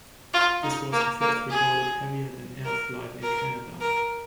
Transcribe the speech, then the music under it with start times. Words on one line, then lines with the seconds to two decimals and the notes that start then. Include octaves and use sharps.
This was the first recorded heavier-than-air flight in Canada.
0.33 F4
0.63 D#4
0.92 A#3
1.21 A#3
1.50 G#4
2.65 A#4
3.22 A#4
3.80 A#4